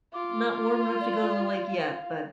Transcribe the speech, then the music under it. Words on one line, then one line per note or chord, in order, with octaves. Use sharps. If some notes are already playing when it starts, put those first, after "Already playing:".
not warm enough to go to the lake yet, but
F4 D6
D5
F5